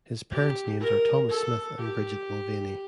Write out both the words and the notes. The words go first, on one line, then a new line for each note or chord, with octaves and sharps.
His parents names are Thomas Smith and Bridget Mulvaney.
G4
A#4
A4
G4